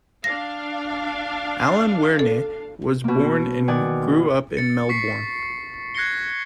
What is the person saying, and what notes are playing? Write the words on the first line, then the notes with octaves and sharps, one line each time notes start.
Alan Wearne was born and grew up in Melbourne.
D4 F5 A#6
A4
B2 A#3
D#3 D5 F#5 G#5
A6 C#7
C#6 B6 C7
F#6 G#6 A#6 C7 C#7 G7